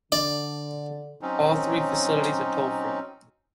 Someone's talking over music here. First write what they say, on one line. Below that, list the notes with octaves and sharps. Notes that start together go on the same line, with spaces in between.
All three facilities are toll-free.
D3 D4 D5
F#3 C4 C#4 D#4